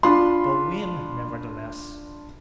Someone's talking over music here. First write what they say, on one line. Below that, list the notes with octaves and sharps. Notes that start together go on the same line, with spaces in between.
"Go in, nevertheless."
D4 F4 B5 C6